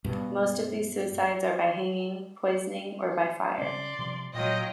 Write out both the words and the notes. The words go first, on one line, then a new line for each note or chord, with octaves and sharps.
Most of these suicides are by hanging, poisoning or by fire.
G2 B2
C#3 C#4 D5 C6
C3 F3 G3
A#2 F#3 F4 D#5 G5